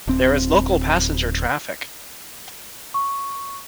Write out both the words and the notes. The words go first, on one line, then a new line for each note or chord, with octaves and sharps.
There is local passenger traffic.
D1 C4
C#6